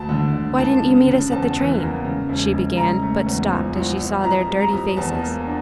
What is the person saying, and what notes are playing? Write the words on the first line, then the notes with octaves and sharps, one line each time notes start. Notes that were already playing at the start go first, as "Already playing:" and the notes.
"Why didn't you meet us at the train?" she began, but stopped as she saw their dirty faces.
Already playing: D2 A5
D3
D3
C#2 A5
C#3
C#3
E2 A5
E3
A#3
C#3
E1
E1
C#3 A#5
A3
E2
A#1
A#1
A#1
F2 A#5
G3
A#5
F2
E2 A5
A#3
D4